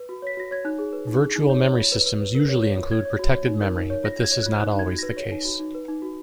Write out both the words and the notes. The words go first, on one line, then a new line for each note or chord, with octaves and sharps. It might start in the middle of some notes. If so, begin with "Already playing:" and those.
Virtual memory systems usually include protected memory, but this is not always the case.
Already playing: B4
F#4
C#5 B6
F#4 A#6
C#5 G#6
D#4 F#6
G#4
B4
D#4
G#4
D#4
C#5
C#5
F4
B4
B4
B4
A#4
C#5
C#5
F4
C#5 G#6
C#5
F#4
C#5
D#4
A#4
D#4
C#5
F4 A#6
F4 G#6
C#5
F#6
F4
D#4 F#6
D#4 G#6
F#4
B4 A#6
C#5
D#4
F#4
D#4
B4
D#4
F#4